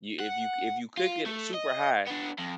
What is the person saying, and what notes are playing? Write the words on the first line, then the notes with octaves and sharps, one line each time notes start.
You if you c if you cook it super high,
F#5
F4
A3
D#5
B3 D4
F2